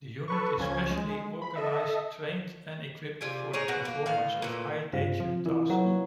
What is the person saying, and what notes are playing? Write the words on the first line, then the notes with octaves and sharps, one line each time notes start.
The unit is specially organized, trained and equipped for the performance of high-danger tasks.
A4 B4 C#6
C#2 F3 C#4 G#6
G#3
B5
A4 D#5 E5
C3 F4 D5 G#5
D#4 G#4 A#4 C#5
B2 F#4
A#3
A2 B3 F5
A#2 E3 A4
G2 C3 F4 C5 F5
F3
E3 E4 A#4
F#3 A4 B4 C#5 E5 F#5 A#5
A#3